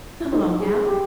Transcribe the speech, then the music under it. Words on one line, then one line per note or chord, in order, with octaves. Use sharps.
Come along, now.
E4
D#4
G#4
G4